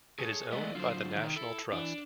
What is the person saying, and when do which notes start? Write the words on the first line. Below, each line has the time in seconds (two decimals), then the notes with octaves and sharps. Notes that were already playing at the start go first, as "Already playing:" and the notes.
It is owned by the National Trust.
0.18 G#4 A4 C#5
0.52 G#3 A3 B3 D5 D#5
0.75 D3 F#3 F4 C5
1.17 D#2 C3 D#3
1.36 E4 A4
1.73 E3 D4